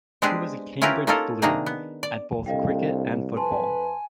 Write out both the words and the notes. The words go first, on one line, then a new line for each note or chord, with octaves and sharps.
He was a Cambridge Blue at both cricket and football.
G#3 B3 C4 D4 G4 G#4
C#4 E4 F4 G4 A#4 B4
A#3 C#4 D#4 F4 A4 A#4
C3 D#3 A#3 D4 D#4 G#4
B3
D5
C2 C4 D4 A4 D#5 F5 G5
F2 B4 G#5 A5 C6